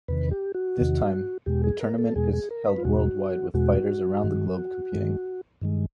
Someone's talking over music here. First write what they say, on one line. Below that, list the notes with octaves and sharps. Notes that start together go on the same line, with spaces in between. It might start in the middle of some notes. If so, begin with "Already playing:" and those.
This time, the tournament is held worldwide with fighters around the globe competing.
E2 C3 D#3 B4
G4
F#4
E2 C3 D#3
E2 B2 G#3 G4
G#4
A#4
A4
E2 B2 G#3 G#4
G#4
A#4
B4
F4
E2 B2 G#3 F#4
E2 B2 G#3 F#4
G2 D#3 G#3
G2 D#3 G#3
G2 D#3 G#3